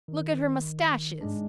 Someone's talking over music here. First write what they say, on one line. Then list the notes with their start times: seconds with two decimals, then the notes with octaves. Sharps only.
Look at her moustaches!
0.08 D#3
1.21 G#2 G#3 D4